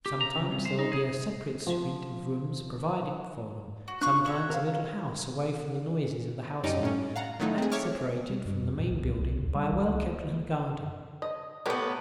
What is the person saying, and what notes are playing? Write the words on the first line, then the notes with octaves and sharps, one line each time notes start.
Sometimes there will be a separate suite of rooms provided for them; sometimes a little house away from the noises of the household, and separated from the main building by a well-kept little garden.
G4
A#5
C#3
C2
C5
D#4
G#4
F3
F#4
D4 F4 C#6 F#6
F#4 C#5 E5
A#4 C5 F5
F#2 G3 C#4 D#4 D6
A2 C#4
F5 F#5 A#5
D#3 F#3 A3 D#4 E4
C4 G#4
C#5 E5 C#6 D6 F6
G3
G2
F2
A#2
C#2
C#2
C2
D#2
G3
C#2
A#3
D#5
A2 B3 G4 A#4 B4